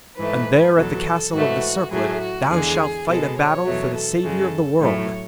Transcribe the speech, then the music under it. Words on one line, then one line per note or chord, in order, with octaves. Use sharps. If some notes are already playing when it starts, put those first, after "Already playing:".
And there at the Castle of the Circlet thou shalt fight a battle for the Saviour of the world.
G#2 E3 A3 B4
E2 B2 F#3 A4
G#2 E3 A3 F#4
A2 F#3 A3 G#4
F#4
E2 D3 G#3 G#4
B2 G#3 A4
C#5
E2 B2 F#3 A3
A4
F#2 C#3 G#3
A2 F#3 A3 C#5